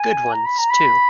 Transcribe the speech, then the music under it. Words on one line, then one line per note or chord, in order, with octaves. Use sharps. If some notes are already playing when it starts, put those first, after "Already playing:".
Good ones too.
Already playing: G#5
A#5
B5
A#5
B5